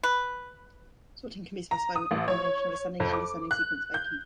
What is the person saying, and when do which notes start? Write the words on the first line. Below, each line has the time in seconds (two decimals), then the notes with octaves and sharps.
Sorting can be specified on any combination of ascending and descending sequence by key.
0.03 B4
1.71 A#5
1.96 D#6
2.11 A1
2.28 C#5
3.00 F2
3.13 D6
3.51 F#6
3.94 G6